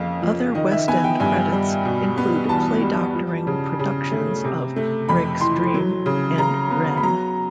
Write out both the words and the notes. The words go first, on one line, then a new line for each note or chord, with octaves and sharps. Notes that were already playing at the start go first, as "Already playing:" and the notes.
Other West End credits include playdoctoring productions of "Drake's Dream" and "Wren".
Already playing: F2 C#3 A#3 F5
F3
D#3 D#5
E5
B3 G#5
G5
G2 G#5
G3
B2
B3
E2 A5
G3
F3
C#3
C#3
A3
C3
A3
F2 B5
E3 C6
F#3
C#3
C#3 A#5
B3
B5
F#3 A#5